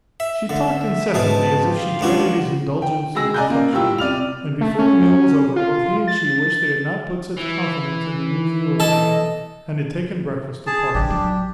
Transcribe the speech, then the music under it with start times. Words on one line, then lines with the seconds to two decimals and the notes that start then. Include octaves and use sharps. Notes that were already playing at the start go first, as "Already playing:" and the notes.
She talked incessantly, as if she dreaded his indulgence in reflection, and before the meal was over both he and she wished they had not put such confidence in their new view of things, and had taken breakfast apart.
0.20 E5
0.49 D3 E5
1.14 G#2 B2 G#4 A5
1.61 F4 G4 F5
2.01 C#2 D4 F#4
2.82 G5
3.15 G#3 F#4 G#4 E6 A#6
3.34 D5 D#5 G#5 A#5 F#6 G6
3.49 C#3 A#3
3.73 A2 G3 F4 G5 E6
3.98 C3 D5 F6 F7
4.61 A3
4.79 C#4
5.56 F4
6.08 A6
7.37 E3
8.80 A4 D#5
10.67 G#4 A5
10.95 A1 C#3 D4 G4
11.10 F#3